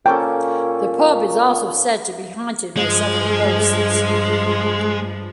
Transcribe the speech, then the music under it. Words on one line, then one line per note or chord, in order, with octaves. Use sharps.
The pub is also said to be haunted by several ghosts.
A#2 A#3 C#4 A4 G5
G2 F3 G#3